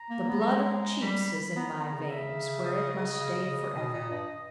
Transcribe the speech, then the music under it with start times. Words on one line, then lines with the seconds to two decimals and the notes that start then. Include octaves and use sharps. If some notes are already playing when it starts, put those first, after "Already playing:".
The blood of chiefs is in my veins, where it must stay forever.
Already playing: A#5
0.10 A#3
0.28 B3
0.40 G3
0.47 G#3
1.01 G3 B5
1.56 B3 A#5
1.74 B3
1.92 C#3
2.10 E5
2.65 D#5
3.20 C#3
3.46 C#3
3.73 B2
3.92 A#2
4.10 G2